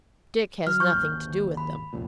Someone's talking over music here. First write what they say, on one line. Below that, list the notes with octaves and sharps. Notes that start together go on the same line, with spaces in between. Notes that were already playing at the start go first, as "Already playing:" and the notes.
Dick has nothing to do with them.
F#3 F6
C#6 G6
G#1 D#2
B5
F1 C#2 A#2